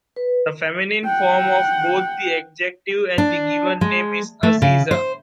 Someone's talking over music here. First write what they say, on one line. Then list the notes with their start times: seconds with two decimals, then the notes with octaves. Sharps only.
The feminine form of both the adjective and the given name is Aziza.
0.16 B4
1.05 F#5 G5
3.18 D4
3.81 G#3
4.43 A3
4.62 C#3
4.91 C5